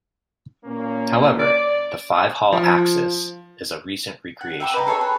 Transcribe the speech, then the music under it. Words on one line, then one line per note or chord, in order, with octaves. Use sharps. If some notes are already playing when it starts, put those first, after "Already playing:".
However, the five-hall axis is a recent recreation.
A#2 A#3 C#4
D5
F3
F#5
E5 G5 B5 D6
B4 D#5 G#5 A#5
G#4 A4 C#5 G#5
B4